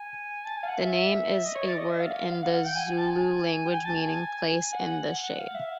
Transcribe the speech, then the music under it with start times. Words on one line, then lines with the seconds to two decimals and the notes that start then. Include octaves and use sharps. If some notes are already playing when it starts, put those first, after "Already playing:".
The name is a word in the Zulu language meaning place in the shade.
Already playing: G#5
0.45 A5
0.57 G#5
0.63 F5
0.68 F#5
0.79 E5
1.45 D#5
1.55 C#5
1.66 D5
1.78 D#5
1.89 E5
2.00 F5
2.11 F5
2.21 F5
2.32 F5
2.42 F#5
2.54 F#5
2.65 G5
2.75 G#5
2.87 G#5
2.98 A5
3.09 G#5
3.66 G5
3.74 G#5
3.85 A5
3.97 G#5
4.08 G#5
4.73 F#5
5.39 F5
5.55 E5